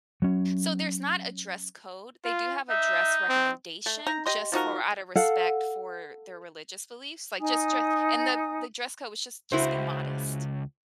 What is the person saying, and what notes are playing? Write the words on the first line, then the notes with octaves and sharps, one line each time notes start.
So, there's not a dress code, they do have a dress recommendation just for out a respect for their religious beliefs, like, just dre and the the dress code was just just be modest
F#3 C#4
F4
D#4 E5
C4
A3
D#4 A#5
G4 D#5 C6
F3 D#4 F#4 A#4
A4 F5 F#5
D#4 G#5 D#6
C#2 E4 F#4 C5